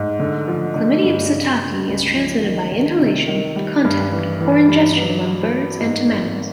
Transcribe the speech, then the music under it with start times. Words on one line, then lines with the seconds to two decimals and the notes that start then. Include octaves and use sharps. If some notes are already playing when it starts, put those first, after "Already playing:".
"Chlamydia psittaci" is transmitted by inhalation, contact or ingestion among birds and to mammals.
Already playing: G#2
0.20 D3
0.48 F3
0.76 D3
1.03 G2
1.31 C#3
1.59 C#3
1.88 C#2
2.15 F3
2.44 D#3
2.72 D#3
3.00 C3
3.28 D#3
3.56 G3
3.85 G2
4.12 E3
4.40 E3
4.68 G2
4.96 B3
5.24 F#3
5.52 B3
5.80 G#2
6.08 G#1